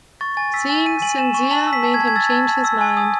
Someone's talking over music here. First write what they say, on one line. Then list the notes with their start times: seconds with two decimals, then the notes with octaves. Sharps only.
Seeing Cinzia made him change his mind.
0.21 C#6 A6
0.37 G#5 A6
0.54 E6 B6
0.70 G#5
0.86 G#5 D#7
1.02 G#5 F#7
1.18 G#5 E7
1.34 C#6
1.51 A5 F#7
1.67 E6
1.73 B6
1.83 A5
1.94 G#6
2.00 A5
2.08 G#6
2.16 E6 A6
2.32 A5
2.49 A5
2.64 E6
2.81 G#5
2.97 D#6